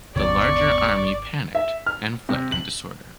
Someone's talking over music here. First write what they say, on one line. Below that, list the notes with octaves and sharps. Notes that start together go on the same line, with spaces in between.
The larger army panicked and fled in disorder.
G#1 E2 C3 D#3 D5 C#6
E5
F6
C3
F#7